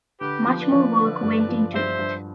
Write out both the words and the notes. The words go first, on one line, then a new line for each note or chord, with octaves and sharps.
Much more work went into it.
D3 G4 B4
F3
B4 D5
F3
D3
G2
F3
G2 C5 E5
G2